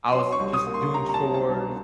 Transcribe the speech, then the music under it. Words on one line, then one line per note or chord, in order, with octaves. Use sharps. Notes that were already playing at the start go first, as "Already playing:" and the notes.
I was just doing chores
F#3 C6
C#6
C2
D#6
A#3
C6
C3 A#5
A#5
A5
F#3
A5
C2